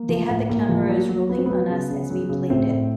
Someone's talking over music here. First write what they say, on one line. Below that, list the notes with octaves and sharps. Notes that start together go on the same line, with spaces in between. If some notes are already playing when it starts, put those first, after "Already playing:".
They had the cameras rolling on us as we played it.
Already playing: A#3
F3
A2
A2 A#3
F3
F#3
F#3
F#3 B3
C4
F#3 B3
C#3
C#3
F#3
C#3
A2 C4
A2